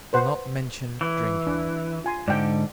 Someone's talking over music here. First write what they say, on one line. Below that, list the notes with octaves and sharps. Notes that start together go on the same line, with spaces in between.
Will not mention "drinking."
B4 C5 F#5
E3
D4
F4 G#5 C6
G#2 D3 D5 G5